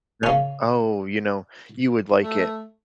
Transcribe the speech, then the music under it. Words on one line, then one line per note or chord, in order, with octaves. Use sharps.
No? Oh, you know, you would like it.
C#3 C#4
A3